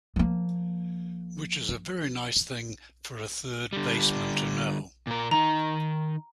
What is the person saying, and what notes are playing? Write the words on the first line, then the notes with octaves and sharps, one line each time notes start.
Which is a very nice thing for a third baseman to know.
F3 A#3
D3 G3
A#2 A#4
D#3 D#4 A#5